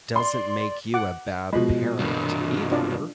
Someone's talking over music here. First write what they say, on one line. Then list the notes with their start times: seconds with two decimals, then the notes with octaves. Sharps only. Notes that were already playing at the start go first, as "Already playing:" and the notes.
doesn't make you a bad parent either.
0.16 D5 C6
0.94 F#5 D6
1.53 B2 F3 G#3 B5
1.99 C2 G2
2.72 D4 F4 D5